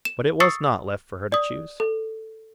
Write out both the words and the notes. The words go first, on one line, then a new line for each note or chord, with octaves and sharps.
But it was not left for her to choose.
E7
C#6 D#6 E6 A6 C7 C#7
D5 D#6
A4